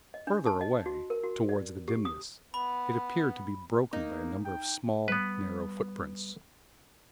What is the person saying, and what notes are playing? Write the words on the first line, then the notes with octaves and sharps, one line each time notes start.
Further away towards the dimness, it appeared to be broken by a number of small narrow footprints.
D#5
D4
A5
D#5
F#4
A#4
F#4
D5
G4
D#6
B3 B5
A#3 D#4
G5
G3 B3 B4